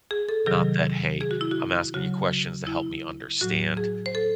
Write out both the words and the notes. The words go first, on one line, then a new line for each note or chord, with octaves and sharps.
not that, "Hey, I'm asking you questions to help me understand"
G#4
A4
C3 D#3 F#3 G#4
G#4
F#4
E4
F#4
C#3 F#3 F#4
E4
A2 F#3 F#4
G#4
C5
A4